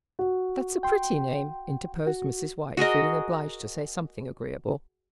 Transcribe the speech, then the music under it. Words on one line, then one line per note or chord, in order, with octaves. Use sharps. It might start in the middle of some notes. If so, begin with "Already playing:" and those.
"That's a pretty name," interposed Mrs. White, feeling obliged to say something agreeable.
F#4
G5 C6
F#4
F#4 G#4 A#4 D#5